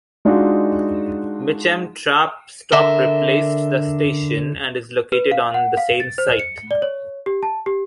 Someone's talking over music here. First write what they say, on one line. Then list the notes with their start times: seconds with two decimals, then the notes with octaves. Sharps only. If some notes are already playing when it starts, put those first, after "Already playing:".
Mitcham tram stop replaced the station, and is located on the same site.
0.25 G#3 D4 D#4 F4 F#4
2.73 D3 A#4 E5
5.12 B4
5.31 F5
5.54 F#5
5.77 F5
6.00 A6
6.18 C5
6.39 C#7
6.71 D5
6.82 C#5
7.26 G4
7.43 A5
7.66 G4